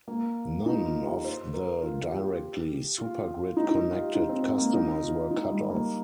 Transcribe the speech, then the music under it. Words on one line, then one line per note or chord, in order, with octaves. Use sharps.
None of the directly supergrid-connected customers were cut off.
A#3
D#4
F4
G4
C5
A#4
F4
G4
F4
D#4
D#4
F4
G4
D#4
C4
C4
A#3
D#4
F4
D#4
G3
A#3